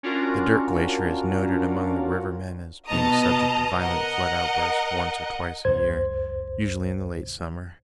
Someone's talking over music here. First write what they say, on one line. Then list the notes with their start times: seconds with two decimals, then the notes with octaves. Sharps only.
The Dirt Glacier is noted among the river men as being subject to violent flood outbursts once or twice a year, usually in the late summer.
0.03 C#4 D4 F4 F#4 A#4
2.86 B2 D#5 A5 A#5 D#6
3.78 A#4 D#5 F#5
5.65 C#2 F#2 C5 G#6